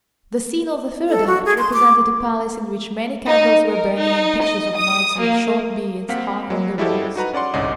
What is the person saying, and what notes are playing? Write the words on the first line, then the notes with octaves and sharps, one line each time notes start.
The scene of the third act represented a palace in which many candles were burning and pictures of knights with short beards hung on the walls.
A4
F#4
G#4
C6
D6
D#4
A#4
D#4
D#5
D#6
A#3
A#3 C4 F5 F#5 B6
F#3 A#3
G3 G#3 E4 F#4 G4 A4
D#4 F#4 B4 A#5
C#4 D5 F#5 C6
G1 C2 G#2 C#4 D5 D#5